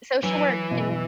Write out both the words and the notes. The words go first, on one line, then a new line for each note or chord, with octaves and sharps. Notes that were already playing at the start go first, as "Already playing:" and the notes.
social work and
E3 F#3
B2